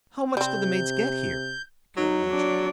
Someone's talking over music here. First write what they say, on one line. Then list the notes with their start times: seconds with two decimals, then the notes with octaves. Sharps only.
"How much do the maids get here?" Carol ventured.
0.37 C3 G3 C4 G6
1.97 F#3 D#4
2.30 D4 D5